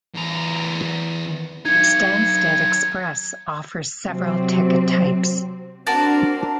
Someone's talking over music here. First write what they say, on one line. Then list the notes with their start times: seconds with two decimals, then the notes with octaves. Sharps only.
Stansted Express offers several ticket types.
0.14 E2 A#5
1.65 F#3 D#4 G#6 C#7
4.06 C3 F#3 C4
5.87 C4 D4 F#4 A#4 A5